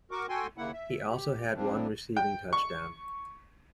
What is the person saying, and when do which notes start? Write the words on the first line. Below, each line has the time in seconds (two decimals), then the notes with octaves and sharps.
He also had one receiving touchdown.
0.11 F#4 A#4 C#6 D6
0.29 F#4 A4 G5 G#5 C6
0.58 D#2 C#3 A#3 E4 F#5
0.73 E5
1.09 G4
1.55 C3 F3 G3 A#3 C4 D4
2.17 G5
2.53 C#6